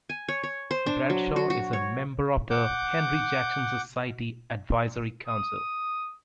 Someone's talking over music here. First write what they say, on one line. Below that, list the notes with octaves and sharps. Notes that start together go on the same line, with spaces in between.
Bradshaw is a member of the Henry Jackson Society Advisory Council.
G#5
C#5
C#5
C5
D4
F#3
F#4
F#4
C#5
F#5 D6 G6
D#6